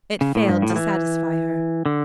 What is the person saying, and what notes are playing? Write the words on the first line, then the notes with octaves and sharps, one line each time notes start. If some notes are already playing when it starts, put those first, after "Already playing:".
It failed to satisfy her.
C#3
A2
G2
A2
F3
E3
D3